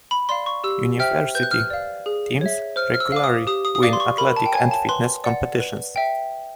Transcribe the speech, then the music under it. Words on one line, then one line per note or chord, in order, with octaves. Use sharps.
University teams regularly win athletic and fitness competitions.
B5
D5 F5 C6
C#6
G4 E6
C5 E5 G5 F6
B4 G6
F#6
F6
F#6
D5 F5
G#4
C#5 E5
C5 F6
F6
E6
F5 D6
D#6
G4 D#6
D#6
D#6
B4 D5 F5 D6
C6
C#6
A#4 B5
A5
G5
C#5 F5 G#5
A5
B4 C6
D5 F#5
B4
E5 G5